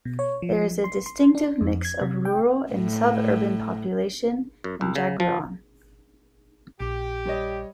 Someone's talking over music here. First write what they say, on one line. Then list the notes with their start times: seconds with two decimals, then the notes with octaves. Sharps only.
There is a distinctive mix of rural and sub-urban population in Jagraon.
0.05 B2
0.19 C#5
0.42 F3
0.84 C6
1.06 C6
1.35 D4
1.61 F2
1.85 G#6
2.01 C3
2.25 G5
2.72 A2
4.64 F#2
4.81 C2
4.96 C#3
5.20 F3
6.80 A#1 G4
7.26 G3 C#5 D#5